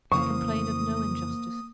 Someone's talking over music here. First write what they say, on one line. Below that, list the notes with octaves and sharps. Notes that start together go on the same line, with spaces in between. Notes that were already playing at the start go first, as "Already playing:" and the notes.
I complain of no injustice.
F2 C#3 E3 A#3 C5 C#6 D#6